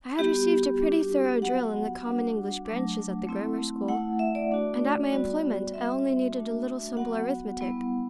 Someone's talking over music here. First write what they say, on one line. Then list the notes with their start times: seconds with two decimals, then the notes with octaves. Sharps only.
I had received a pretty thorough drill in the common English branches at the grammar school, and at my employment I only needed a little simple arithmetic.
0.19 G3 B3 F#4 G4
0.80 G3 D4 F#4
1.42 F#3 B3 F#4 F#5
2.04 G3 D4 F#4
2.65 F#3 A3 D4
3.27 A3 C4 E4
3.88 A3 E4 F#5
4.19 E5
4.35 D5
4.51 A3 D4 F#4
5.12 G3 B3 F#4
5.74 G3 C4 F#4 E5
6.35 A3 D4 F#4
6.97 F#3 B3 F#4 F#5
7.58 G3 B3 E4